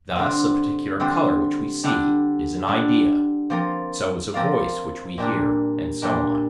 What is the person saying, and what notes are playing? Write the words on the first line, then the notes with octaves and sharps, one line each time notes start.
Thus a particular colour which we see is an idea; so is a voice which we hear, and so on.
D3 G3 C4
D3 G3 C4
D3 G3 D4
D3 G3 D4
F3 C4 A#4 D5 F5
F3 C4 A#4 D5 F5
A#2 G3 D4 A#4
A#2 G3 D4 A#4